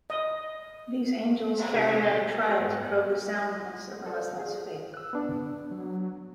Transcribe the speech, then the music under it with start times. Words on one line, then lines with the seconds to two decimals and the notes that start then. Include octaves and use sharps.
These angels carry out a trial to probe the soundness of a Muslim's faith.
0.10 D#5
1.74 C3 D#4 G4 A4 C#5 G#6
2.03 B2 F#5 C6 G6 A6
2.25 A3 A4
2.46 F#4 G4 A4 B4 F5
2.60 G#2 B3
2.83 F#5
4.06 A4 C5 D5
4.39 G#4
4.94 E6 F#6
5.13 B3 D4
5.71 F#3